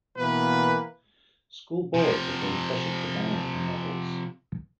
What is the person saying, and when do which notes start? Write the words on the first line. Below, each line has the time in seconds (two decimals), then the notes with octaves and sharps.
School boards have been pressured to ban her novels.
0.17 B2 E3 A#3 B3 B4
1.94 C3 F3